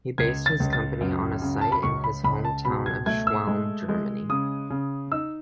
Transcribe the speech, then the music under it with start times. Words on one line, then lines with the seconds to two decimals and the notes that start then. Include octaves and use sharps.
He based his company on a site in his home town of Schwelm, Germany.
0.18 C#2 G#6
0.46 A6
0.60 C#2
0.73 A6
1.01 F#2
1.42 C#3
1.61 A5
1.72 B5
1.83 C#2 C#6
2.04 B5
2.24 C#2 B5
2.45 A5
2.65 B2 B5
2.86 G#6
3.06 A3 G#6
3.27 E6
3.47 G#3
3.89 G#3
4.29 C#3 D#6
4.70 C#3
5.12 D#4 E6